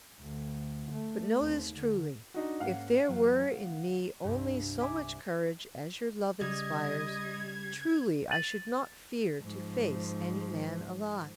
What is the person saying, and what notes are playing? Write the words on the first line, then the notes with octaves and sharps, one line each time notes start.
But know this truly: if there were in me only so much courage as your love inspires, truly I should not fear to face any man alive.
D2
A3
D#2 C4
D3
D4 D#4 F#4
G#2 A#3 C#4 F5 F#5
F#2 E3 F#3
D2
C2 G2
E5 G#5 D6
C#3 G3 D#5 G#6
A6 D#7 F#7
G#2 F3